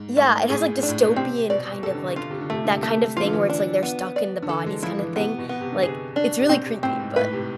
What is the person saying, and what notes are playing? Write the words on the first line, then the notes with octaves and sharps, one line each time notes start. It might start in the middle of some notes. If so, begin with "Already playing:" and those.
yeah, it has, like, dystopian kind of, like that kind of thing where it's, like, they're stuck in the bodies kinda thing, like, it's really creepy, but
Already playing: G#2
G#2 A3
A2 G#4
D4
A2
B2
C3 C4
B2 D5
C3 A4
D3
C3
D3 F4
C3
D3
C3 A3
D3
C3
A3
E3 F4
D3
E3
D4
B3
D5
D3
E3 A4
G#3
F3 E4
E3
C3 B3
B2
B3
C3
D3
C3 G#4
D4
C3
B2 C4
C3
A2 C4
G#2
A2 B4
C3